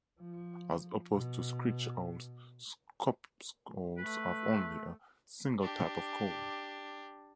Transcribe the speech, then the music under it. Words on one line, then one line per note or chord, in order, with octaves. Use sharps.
As opposed to screech owls, scops owls have only a single type of call.
F3
B2
A3 B4
D4 G4